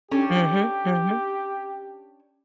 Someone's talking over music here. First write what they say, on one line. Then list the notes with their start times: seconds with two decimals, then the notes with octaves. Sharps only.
Mhm, mhm.
0.11 C#4 D4 G4 A4